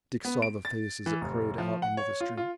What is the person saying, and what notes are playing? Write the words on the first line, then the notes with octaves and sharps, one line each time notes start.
Dick saw the face as it hurried out into the street.
B3
D7
A6
E3
F1
F3
F#5
C#5
F4
F4